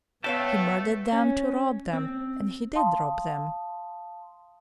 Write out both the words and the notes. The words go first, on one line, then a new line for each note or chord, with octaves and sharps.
He murdered them to rob them and he did rob them.
A3 B3 B4 C#5 E5 F5 G5 A5
C#4
C4
F5 A5 C6 D#6